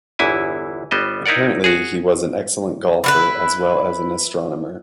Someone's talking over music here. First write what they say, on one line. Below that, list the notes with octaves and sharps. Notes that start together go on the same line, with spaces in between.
Apparently he was an excellent golfer as well as an astronomer.
G1 E2 E3 E4 G#5
G1 G3 B3 C5 D#5
D#4 E4 A#4 D5 F#5
F#4 G#4
E4 F4 B4